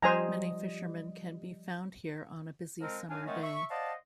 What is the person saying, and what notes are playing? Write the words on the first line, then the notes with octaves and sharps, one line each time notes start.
Many fishermen can be found here on a busy summer day.
F3 G3 C5 D#5 G#5 A#5
F3 G#3 C4 A#4
F#2 D4 F5 G#5
D#3 F#3 G#3 A3 B3 C#4
E5 C#6
C5 D5 D#5 F5 F#5 A5